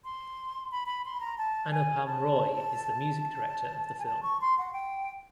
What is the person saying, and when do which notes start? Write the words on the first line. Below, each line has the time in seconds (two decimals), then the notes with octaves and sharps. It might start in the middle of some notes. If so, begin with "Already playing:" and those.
Anupam Roy is the music director of the film.
0.03 C6
0.70 B5
0.87 B5
1.04 C6
1.14 B5
1.20 A#5
1.38 A5
1.71 G#5
2.04 A5
3.99 G#5
4.06 A5
4.23 C#6
4.40 C6
4.58 F#5
4.74 G5